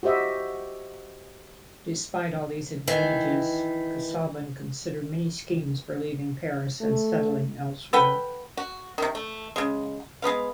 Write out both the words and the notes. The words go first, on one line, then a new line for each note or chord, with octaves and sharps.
Despite all these advantages, Casaubon considered many schemes for leaving Paris and settling elsewhere.
F#4 G4 C5 D#5 E5
D#3 E3
A3
A4 B4 F#5 G5
F#4
C3 D#3
A3
C#3 G#3
G#3 B3 B4 F5